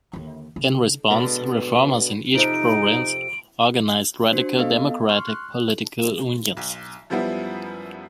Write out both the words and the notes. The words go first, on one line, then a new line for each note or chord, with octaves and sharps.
In response, Reformers in each province organized radical democratic political unions.
D#2 D3
C#3
B2 D3 G#3
F2 C3 D#4 D7
D4 F#4 C5
B3 A4 D#5 F5
C6 C#6 F6
F#6
B1
F#2 F3 G3 B3 E4